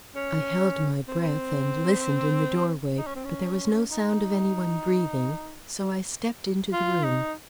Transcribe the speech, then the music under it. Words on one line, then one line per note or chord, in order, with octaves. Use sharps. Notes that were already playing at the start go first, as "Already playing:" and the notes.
I held my breath and listened in the doorway, but there was no sound of any one breathing, so I stepped into the room.
C#4
C4
D#4
C#4
C4
C#4
D#4
F4
D#4